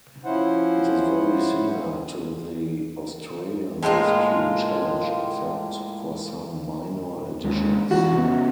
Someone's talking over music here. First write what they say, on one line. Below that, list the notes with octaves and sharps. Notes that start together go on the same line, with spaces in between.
It is very similar to the Australian Rescue challenge except for some minor additions.
F3 C#4 E4 C5 F#5
A2 G#3 A#3 F4
D#2 G#3
F2 E3 F3 F#4
C#3 B3